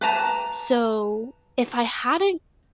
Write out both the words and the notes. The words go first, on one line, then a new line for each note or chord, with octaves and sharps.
So if I hadn't
B4 A5 A#5